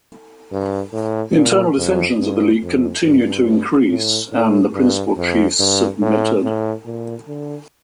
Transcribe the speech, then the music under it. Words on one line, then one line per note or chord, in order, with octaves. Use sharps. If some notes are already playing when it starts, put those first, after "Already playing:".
The internal dissensions of the league continued to increase, and the principal chiefs submitted.
G2
A2
A#2
F2
G2
F2
G2
A2
A2
G2
F2
G2
A2
A2
A#2
D3